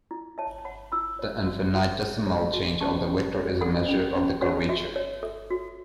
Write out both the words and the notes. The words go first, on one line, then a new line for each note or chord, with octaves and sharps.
The infinitesimal change of the vector is a measure of the curvature.
E4
C#5 E5 A5
A5
C#5 F#5 B5
E4 B5 E6
C#5
F#4
F#4
C#5
C#5
F#4
C#4 A5 C#6
C#4
C#5
A4 F#5 B5
C#4
C#4
F#4 C#5 F#5
F#4 E5
C#5
A4 E5
F#4